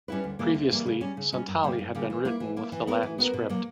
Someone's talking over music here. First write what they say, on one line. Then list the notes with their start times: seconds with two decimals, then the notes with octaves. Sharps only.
Previously, Santali had been written with the Latin script.
0.08 G3 C#4 E4 B4
0.24 D2
0.39 C#3 E3 G3 A#3
0.55 D2
0.70 C#3 E3 G3 A#3
0.86 C#3
1.01 G3 C#4
1.17 C#3
1.32 G3 C#4
1.48 F#2
1.63 C#3 G3 A#3
1.79 F#2
1.95 C#3 G3 A#3
2.10 E3
2.25 A#3 E4
2.40 E3
2.57 A#3 E4
2.72 E3
2.87 B3 F#4 A#4
3.03 E3
3.18 B3 F#4 A#4
3.33 B2
3.49 F#3 A#3